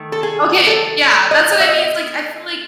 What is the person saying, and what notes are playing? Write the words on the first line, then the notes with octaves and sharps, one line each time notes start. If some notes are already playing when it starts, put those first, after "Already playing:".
Okay. Yeah, that's what I mean it's like, I feel like
Already playing: D#3 A3
A4
G#4
A4
D#5
D#5
E5
D#5